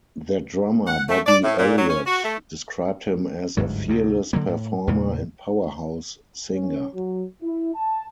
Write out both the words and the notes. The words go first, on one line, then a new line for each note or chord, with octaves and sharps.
Their drummer Bobby Elliott described him as "a fearless performer and powerhouse singer".
F#5
A3
D5
A2
A#2
F#3
C#4
F#4
A3
G1 D2 G#2 F#3
D2 C3
D3 F#3 A#3
A2
E2 A#2 C#3 E3
C#4
F#3
E4
A5